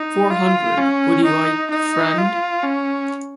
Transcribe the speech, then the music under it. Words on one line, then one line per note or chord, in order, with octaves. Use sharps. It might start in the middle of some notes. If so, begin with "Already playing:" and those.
Four hundred, would you like, friend?
Already playing: D#4
F4
C#4
D#4
D#4
F4
C#4